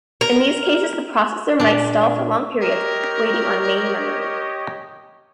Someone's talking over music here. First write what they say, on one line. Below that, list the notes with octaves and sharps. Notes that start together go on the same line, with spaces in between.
In these cases the processor might stall for long periods, waiting on main memory.
A#4
A#2 D4
G4 A#4 C#5 D#5